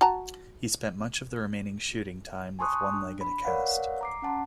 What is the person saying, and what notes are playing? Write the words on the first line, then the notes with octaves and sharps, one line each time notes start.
He spent much of the remaining shooting time with one leg in a cast.
F#4 A5 A#5
G#5 A5 C6 C#6 D#6 F#6
D4
B5
A#4 B4 C#5 D5 F5 F#5
A#5 D6 C7
C#4 F#5 A5 C6